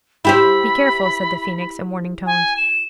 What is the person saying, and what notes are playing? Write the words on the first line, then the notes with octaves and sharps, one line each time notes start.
Be careful,' said the Phoenix, in warning tones.
E4 G4 C5 B5
G#5
E7